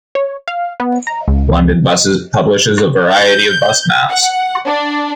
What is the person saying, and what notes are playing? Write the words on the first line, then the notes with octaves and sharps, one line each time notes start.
London Buses publishes a variety of bus maps.
C#5
F5
B3
A#5
C#2
G6
F#5
D4